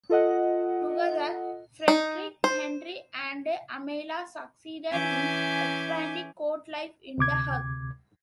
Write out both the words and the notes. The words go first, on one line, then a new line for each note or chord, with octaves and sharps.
Together Frederick Henry and Amalia succeeded in expanding court life in The Hague.
F4 A4 D#5 F#5
D#4
C5
E3 C#4 E5 G#5 D6 G6
D2 C3 D6 G#6